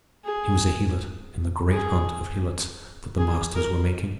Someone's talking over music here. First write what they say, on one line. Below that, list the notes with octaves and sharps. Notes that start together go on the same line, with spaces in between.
He was a helot in the great hunt of helots that the masters were making.
G#4
G#4
G#4
A#4